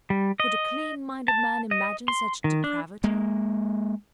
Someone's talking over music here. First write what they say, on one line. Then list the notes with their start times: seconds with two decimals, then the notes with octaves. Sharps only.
Could a clean-minded man imagine such depravity?
0.10 G3
0.40 D#5
1.28 A5
1.71 D#5
2.08 C6
2.44 D#3
2.64 D4
3.04 G#3 A#3